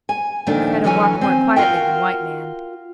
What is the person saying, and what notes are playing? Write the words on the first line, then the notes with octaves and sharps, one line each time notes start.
Kreta walk more quietly than white man.
G#5
A#2 D#3 F3 A3 D4
D3 E3 F#3 C#4 G#5
C4 G#5
F4 F#4 A#4 G5